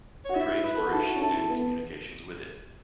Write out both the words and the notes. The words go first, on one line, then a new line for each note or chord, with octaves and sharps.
Trade flourished, and communications with it.
F#4 C#5
E4 E5
B4
A4
F#4
E4 A4
F#4
C#4
E4 A4
B3